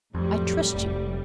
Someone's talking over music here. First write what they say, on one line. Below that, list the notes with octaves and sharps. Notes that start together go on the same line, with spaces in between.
I trust you.
F2 A2 F#3 G3
F1